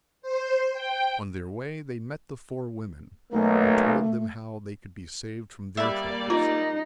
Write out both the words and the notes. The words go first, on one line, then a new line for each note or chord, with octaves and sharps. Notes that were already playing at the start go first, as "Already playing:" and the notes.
On their way they met the four women and told them how they could be saved from their troubles.
C5
G5
B1 A3 A#3
G3 A#3 D5 E5 B5
D#4 F4 A#4